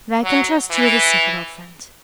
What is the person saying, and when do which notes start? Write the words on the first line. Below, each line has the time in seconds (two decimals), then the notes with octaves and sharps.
But I can trust you with a secret, old friend!
0.24 F#3
0.70 E3